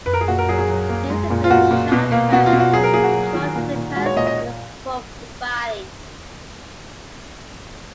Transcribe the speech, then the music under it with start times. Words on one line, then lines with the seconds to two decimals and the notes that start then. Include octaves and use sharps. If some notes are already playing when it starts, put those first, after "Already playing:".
These include short fur, short flippers and a bulky body.
0.06 B4
0.13 A#4
0.21 G#4
0.28 A#2 F#4
0.38 A#4
0.48 F#3 G#4
0.59 G#4
0.69 F#3
0.89 A#3
1.10 G#3
1.30 A#2
1.44 F4
1.51 A#2 F#4
1.71 A#2
1.92 B2
2.12 A#3
2.32 B2 F#4
2.46 F4
2.53 B2
2.60 F#4
2.73 F#3 G#4
2.84 A#4
2.94 A#3 G#4
3.04 F#4
3.14 F#3
3.35 D#3
3.55 A#2
3.76 A#2
3.96 G#3 F#4
4.06 C#5
4.16 A#2 D#5
4.27 D#5